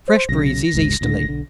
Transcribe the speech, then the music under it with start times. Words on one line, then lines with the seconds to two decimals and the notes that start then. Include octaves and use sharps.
Fresh breezes easterly.
0.08 C5
0.29 B1 C#3 A#6
0.74 F#1 C#2 G#2
1.01 C#2 A2 D3
1.26 B1 D3